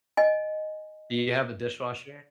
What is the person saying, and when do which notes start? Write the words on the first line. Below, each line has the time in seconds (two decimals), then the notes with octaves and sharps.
Do you have a dishwasher?
0.17 D#5 G#5